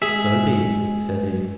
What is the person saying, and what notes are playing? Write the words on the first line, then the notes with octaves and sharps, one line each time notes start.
"So be it," said he.
G#3 G#4 E5